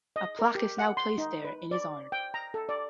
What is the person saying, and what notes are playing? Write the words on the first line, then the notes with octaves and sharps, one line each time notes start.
A plaque is now placed there in his honor.
D#5
A#4
G4
F#5
C6
D#4
B4
D5
G5
A#5
A4
D5